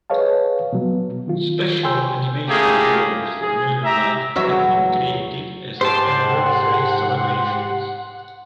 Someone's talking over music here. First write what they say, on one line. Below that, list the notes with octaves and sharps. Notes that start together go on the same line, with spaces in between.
Special animation videos for Million Live have been created as anniversary celebrations.
G#4 B4 C#5 D#5 F5 A5
B2 F#3 B3
D#3 F4
G5 G#5 C6 E6 G6
A3 A#3 C#4 F4 G4 G#4
G#4
G4 E5 A#5
E2 F#3 E5
G#2 G4 C5 F#5 A5 C6